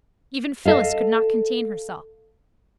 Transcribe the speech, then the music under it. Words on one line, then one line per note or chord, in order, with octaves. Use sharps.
Even Phyllis could not contain herself.
A4 D#5 F5